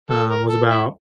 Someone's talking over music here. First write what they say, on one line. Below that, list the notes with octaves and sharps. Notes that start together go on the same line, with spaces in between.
um, was about,
A4
A#4
A4
E4